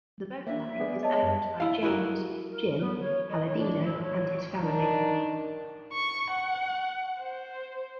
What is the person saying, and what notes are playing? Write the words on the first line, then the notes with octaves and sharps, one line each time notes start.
The boat line is owned by James "Jim" Palladino and his family.
A#3 D4 E5
B3 G#4 D5
C#5 D#5 A5
F#2
E4 F5
E4 F#4 G#4 A#4
A#4
B3
C#5
D#5
C#5
D4
E4
C#5
D#3 D4 D#4 A#4
C#6
F#5
C5